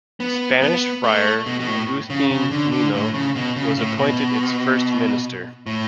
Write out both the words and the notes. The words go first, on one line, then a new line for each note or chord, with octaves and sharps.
Spanish Friar Agustin Mino was appointed its first minister.
B3
B3
A3
B2
B2
A2
C#3
C#3
D3
D3
A2
C#3
B2
C#3
A2
B2
A2